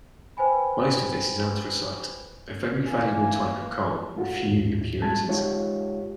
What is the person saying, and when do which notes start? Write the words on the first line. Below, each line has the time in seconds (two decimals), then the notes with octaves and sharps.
Most of this is anthracite, a very valuable type of coal with few impurities.
0.37 B4 C5 G5 G#5 B5
2.87 E3 A#3 G#5
4.16 A3 F4 F#4
4.47 D#2 A2
5.02 G3 G#3 A5 G#6
5.29 G#3 D#4 F4 G4 C#5